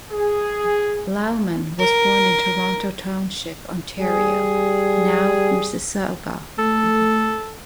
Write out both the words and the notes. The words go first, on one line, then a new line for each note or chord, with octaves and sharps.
Laumann was born in Toronto Township, Ontario, now Mississauga.
G#4
A#4
G3 G#4
A3 A4